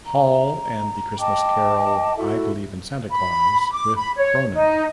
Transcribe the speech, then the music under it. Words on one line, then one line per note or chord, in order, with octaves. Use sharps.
Hall and the Christmas carol "I Believe in Santa Claus" with Cronin.
A#5
D#5 G5 A5 D6
E4 F#4 A4 E5
B5
D6
B5
C#5
D#4